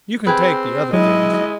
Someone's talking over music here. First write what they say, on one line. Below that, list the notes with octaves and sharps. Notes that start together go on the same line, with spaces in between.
"You can take the other things."
C4 G4 G#4 B4
F#3 G#3 E4 D#5